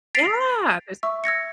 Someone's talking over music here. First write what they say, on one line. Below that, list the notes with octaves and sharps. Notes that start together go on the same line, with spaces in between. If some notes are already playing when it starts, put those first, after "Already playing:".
Yeah, there's
A6 B6 C7 D7 F7
E5 C#6 E6
E6 G#6 A#6 C#7